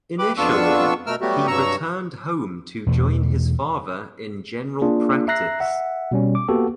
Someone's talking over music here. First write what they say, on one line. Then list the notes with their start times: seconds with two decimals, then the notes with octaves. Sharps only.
Initially, he returned home to join his father in general practice.
0.19 G4 B4 B5 D6
0.37 F2 B3 D4 F4 C#6 E6
1.06 B2 A3 A#4 E6 F6
1.21 F#3 G3 A3 B3 F#4 G4
1.47 G2 F#3 A#5 C#6 E6
2.86 E2 B2 A3
4.82 A#3 D4 F4 G#4
5.28 E5 A#5 F#6 A#6 C7
5.60 E5 F#5
6.11 B2 G3 C#4
6.35 D6
6.48 A#3 B3 F#4 G4 A4